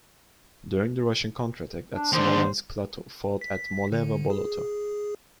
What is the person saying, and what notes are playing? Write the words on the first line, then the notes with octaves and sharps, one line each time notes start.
During the Russian counter-attack at Smolensk Platov fought at Molevo Boloto.
D4
D#2 D3 C5
B6
D3
G#4